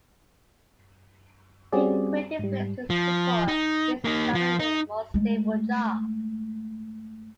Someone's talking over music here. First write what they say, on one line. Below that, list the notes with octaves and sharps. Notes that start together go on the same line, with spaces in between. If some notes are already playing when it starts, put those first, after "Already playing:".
He quit In Flames to support his family with a more stable job.
G3 C4 C#4 F#4 G#4 D5
G#2 G3
F3
D#4
A#3 D#4
F3
D#4
G#3 A3